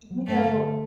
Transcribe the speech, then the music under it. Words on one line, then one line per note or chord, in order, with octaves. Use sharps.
You know,
F#3
G2 A3
D3